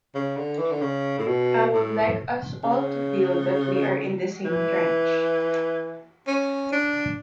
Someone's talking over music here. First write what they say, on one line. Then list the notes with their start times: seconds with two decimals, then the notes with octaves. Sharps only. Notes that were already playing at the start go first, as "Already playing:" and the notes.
I would like us all to feel that we are in the same trench.
0.15 C#3
0.37 D3
0.59 E3
0.72 D3
0.81 C#3
1.19 A2
1.27 B2
1.73 A2
2.64 C#3
4.44 E3
6.27 C#4
6.72 D4